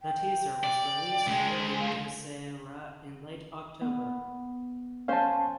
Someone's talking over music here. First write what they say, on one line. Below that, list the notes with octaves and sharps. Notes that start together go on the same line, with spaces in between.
The teaser was released during Dussehra in late October.
G5
D5
C#2 G#3
C5
F5
B3
C#4 C5 F5 A5